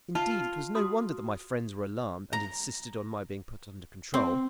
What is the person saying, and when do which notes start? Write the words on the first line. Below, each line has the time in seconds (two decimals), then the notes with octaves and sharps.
Indeed, it was no wonder that my friends were alarmed, and insisted on my being put under control.
0.15 F4 A5
0.75 F#4 C6 D#6
2.33 A#5
4.14 C4